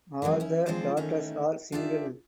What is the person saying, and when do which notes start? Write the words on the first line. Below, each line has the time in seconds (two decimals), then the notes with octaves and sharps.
All the daughters are single.
0.22 D#3 E3 F#3 G#3 C4
0.40 C#4 E4
0.66 F3 G#3 C4 D4 F4 C5
0.97 D#3 A3 C#4 D#4 E4
1.72 D4 F4 G4 G#4 D5 E5